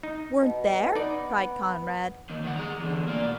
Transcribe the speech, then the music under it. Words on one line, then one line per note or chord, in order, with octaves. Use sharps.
"Weren't there?" cried Conrad.
D#4
B2
B3 D#4 D5
D#2 D#3
D#3 F#5
G#4 A#5
E2 D3
A#3 D5
B2